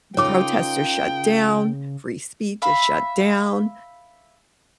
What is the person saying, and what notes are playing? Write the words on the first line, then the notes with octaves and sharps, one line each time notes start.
the protests are shut down, free speech is shut down,
C#3 D#4 F4 A#4 C#5 G5 D6
E5 F5 B5